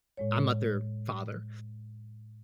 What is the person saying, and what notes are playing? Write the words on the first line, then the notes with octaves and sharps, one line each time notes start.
I'm not their father,
A2 G#3 C#5